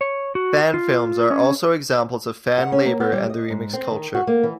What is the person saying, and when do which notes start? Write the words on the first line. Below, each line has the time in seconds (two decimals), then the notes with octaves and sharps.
Fan films are also examples of fan labor and the remix culture.
0.01 C#5
0.35 F#4
0.74 F4
1.30 C#4
2.58 F#5
2.72 C#4
2.85 A#3
3.00 B3
3.13 G3
3.29 D#5
3.50 G#2
3.73 C4
3.91 D#3
4.14 F#4
4.27 A#3
4.43 E3